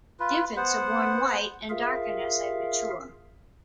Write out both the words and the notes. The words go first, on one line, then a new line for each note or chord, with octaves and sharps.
Infants are born white and darken as they mature.
F4 B4
B3 C5 F#5
F4 G#4 A#4 E5 F5